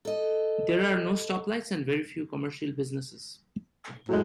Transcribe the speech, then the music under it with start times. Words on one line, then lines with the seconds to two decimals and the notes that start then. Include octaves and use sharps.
There are no stoplights and very few commercial businesses.
0.05 A4 D#5
4.09 A2 F#3 G#3